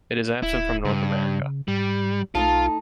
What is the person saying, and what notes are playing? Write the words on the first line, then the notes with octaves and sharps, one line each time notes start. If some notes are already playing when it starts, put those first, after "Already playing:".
It is absent from North America.
D#1 E4
G2 C#3
G#2 G3
B1 A3 D#4 F4 A5